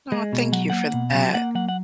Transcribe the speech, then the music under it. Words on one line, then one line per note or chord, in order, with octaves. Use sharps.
Oh, thank you for that,
G#3
B2
F#3 F#5
A#3 F#5
B2
F#3
A#3 F#5
F#3 F#5
F#5